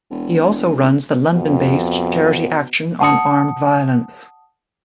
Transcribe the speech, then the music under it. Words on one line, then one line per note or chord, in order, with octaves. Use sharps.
He also runs the London-based Charity Action on Armed Violence.
E1
F2 B2
F#5 A5 D#6 C#7